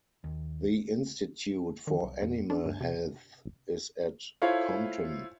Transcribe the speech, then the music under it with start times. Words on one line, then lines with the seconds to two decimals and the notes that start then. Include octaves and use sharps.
The Institute for Animal Health is at Compton.
0.24 D#2
1.87 D#3
2.03 C2
2.22 F2
2.50 D4
2.66 G2
2.80 C3
4.42 E4 F4 A4 C5 C#5 F5